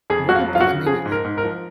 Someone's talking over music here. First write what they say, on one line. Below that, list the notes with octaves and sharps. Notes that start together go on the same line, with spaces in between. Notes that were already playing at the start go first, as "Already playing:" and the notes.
what abou I mean, eh
F2 G#4
F2 F#4
F4
F#3
F4
F#4
C#3
F3 G#4
G#2
A#4
G#2
A#4
F3